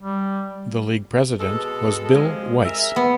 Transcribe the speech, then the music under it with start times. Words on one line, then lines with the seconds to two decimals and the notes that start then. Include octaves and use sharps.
The league president was Bill Weiss.
0.02 G3
1.39 B2 G#3 A4
2.13 C3 F3 G#3
2.64 G#4 A#4 E5
2.96 B3